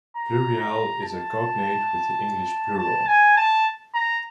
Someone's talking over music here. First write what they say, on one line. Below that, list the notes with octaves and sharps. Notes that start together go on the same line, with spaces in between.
Pluriel is a cognate with the English "plural".
A#5
A#5
A5
A5
G#5
A5
A#5